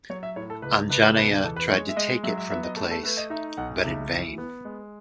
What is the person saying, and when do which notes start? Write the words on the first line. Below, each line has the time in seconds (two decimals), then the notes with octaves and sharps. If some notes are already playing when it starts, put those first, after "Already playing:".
Anjaneya tried to take it from the place but in vain.
0.10 F#3 C#5
0.23 E5
0.36 A2 C#5
0.50 A4
0.62 C#2 B4
0.89 C#2 B4
1.17 B2 B4
1.43 E2 A4
1.56 B4
1.70 G#3 C#5
1.89 E5
1.96 G#3 D#5
2.23 F#3 E5
2.38 E5
2.50 B3 E5
2.64 D#5
2.77 A3 A4
2.91 A4
3.03 A3 B4
3.17 D#5
3.30 D#4 E5
3.57 B1 F#5
3.84 C#2 E5
4.11 E3
4.38 B3
4.65 G#3